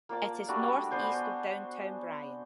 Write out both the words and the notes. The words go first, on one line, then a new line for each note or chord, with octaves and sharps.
It is northeast of downtown Bryan.
A#3 F4 D5 A5
G3 A3 D4 F#4
B3 D4 C5 G#5